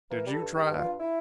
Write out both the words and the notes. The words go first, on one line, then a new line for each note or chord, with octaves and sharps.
Did you try?'
E3 A#4
G3
A4
G2
G2 G4
G2
F4
G2
E4